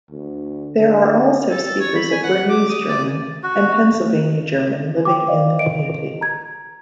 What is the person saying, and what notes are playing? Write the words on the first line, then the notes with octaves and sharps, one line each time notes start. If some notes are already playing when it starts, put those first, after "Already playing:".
There are also speakers of Bernese German and Pennsylvania German living in the community.
D2
D3
A4
C#5
B5
G#5
F#5
D6
D#6
D5
F#4
G5 D6
C5 D5 D#5 F5
D#5 D7
A#5 G#6